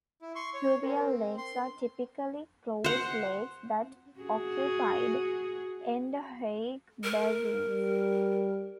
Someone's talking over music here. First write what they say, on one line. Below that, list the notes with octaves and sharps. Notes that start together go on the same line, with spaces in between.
Pluvial lakes are typically closed lakes that occupied endorheic basins.
E4
C6 C#6
C#5
C4 A#4 C5
C6
C5 F#5
F#4 G#4
A#4
G3